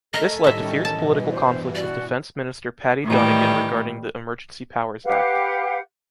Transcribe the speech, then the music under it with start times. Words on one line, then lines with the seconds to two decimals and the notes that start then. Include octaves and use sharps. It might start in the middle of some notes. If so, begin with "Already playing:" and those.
This led to fierce political conflicts with defense minister Paddy Donegan regarding the Emergency Powers Act.
0.14 A3 A4 A#4 D#5 G#5 B6
0.44 A2 D#3 G3 C#4 D#5 E5
0.85 G2 B2 E3 A5
1.29 C5
1.75 F#4 D5
3.04 A2 D#3 E3 G3
5.05 G4 B4 F5 F#5